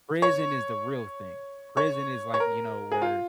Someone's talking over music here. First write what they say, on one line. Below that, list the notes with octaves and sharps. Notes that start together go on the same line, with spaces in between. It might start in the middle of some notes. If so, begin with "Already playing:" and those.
prison is the real thing. Prison is, like, you know, where,
C#5
C#5
C#5
A#4
G#4
F4